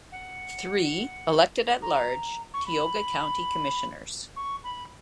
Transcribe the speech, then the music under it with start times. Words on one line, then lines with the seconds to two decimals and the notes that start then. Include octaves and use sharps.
Three, elected at large, Tioga County Commissioners.
0.12 F#5
1.82 A#5
2.54 C#6
2.66 B5
4.36 C#6
4.64 B5